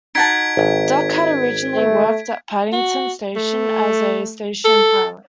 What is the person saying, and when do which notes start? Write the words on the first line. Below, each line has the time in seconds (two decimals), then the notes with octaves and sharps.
Duck had originally worked at Paddington station as a Station pilot.
0.15 D#4 F#4 A5 G#6 B6 D7
0.57 G#1
1.75 A3
2.73 F#4
3.36 A3
4.65 A4